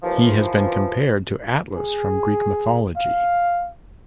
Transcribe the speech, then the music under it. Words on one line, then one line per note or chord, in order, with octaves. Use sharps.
He has been compared to Atlas from Greek mythology.
D#2 E3 F3
G#4
F5